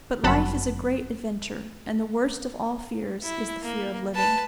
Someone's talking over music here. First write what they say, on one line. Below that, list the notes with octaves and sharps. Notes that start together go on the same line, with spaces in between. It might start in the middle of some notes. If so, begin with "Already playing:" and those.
But life is a great adventure, and the worst of all fears is the fear of living.
G1 F#2 F#5 A5 B5
E4
A#3
B4 A5